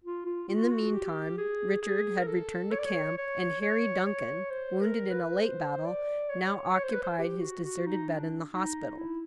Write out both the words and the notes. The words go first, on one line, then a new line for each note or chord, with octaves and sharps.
In the meantime Richard had returned to camp, and Harry Duncan, wounded in a late battle, now occupied his deserted bed in the hospital.
F4
F4
F4
F#4
F4
F#4
G4
G#4
G#4
A#4
A4
C#5
D5
C#5
C#5
C#5
C#5
C5
A#4
B4
C5
D5
C#5
C#5
C5
B4
C5
G4
F#4
F#4
D#4
D4
D#4
E4